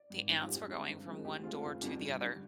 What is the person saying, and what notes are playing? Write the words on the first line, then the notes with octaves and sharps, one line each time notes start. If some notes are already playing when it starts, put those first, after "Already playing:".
the ants were going from one door to the other.
Already playing: D5
G#1
G#2 G3 C4
F4
F2 G4
D3 G#3 C4
G2
F3 G#3 C4
D2 G4
D3 G#3 C4 F4
F1 F4
F2 D3 G3 G4
G2
D3 G3